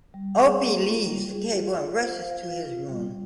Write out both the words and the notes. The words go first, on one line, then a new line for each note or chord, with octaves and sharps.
Opie leaves the table and rushes to his room.
G3
G#4
A#3
F4
G3
G#4
F4
F4
C5
F5
F4
F4
G3